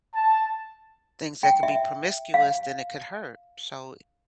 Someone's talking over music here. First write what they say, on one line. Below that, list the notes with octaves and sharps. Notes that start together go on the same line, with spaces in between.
things that could be promiscuous, then it could hurt; so,
A5
G5
E5
F5